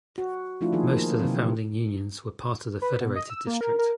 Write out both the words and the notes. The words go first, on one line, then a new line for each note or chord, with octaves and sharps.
Most of the founding unions were part of the Federated District.
F#4
F3 A3 D4 E4 F4
D#3 F3 A#3 D#4 G#4
A#3 G#4 A#4
C3 D#3 E3 F#3 C4
B4
B2
D#5
E6
A#3
A#4
A#4